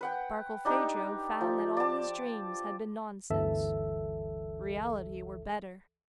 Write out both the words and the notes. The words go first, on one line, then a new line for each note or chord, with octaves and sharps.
Barkilphedro found that all his dreams had been nonsense; reality were better.
B4 F#5 G5
D4 D#4 G4
F3
D5 A5
G1 D2 E3 A4 E5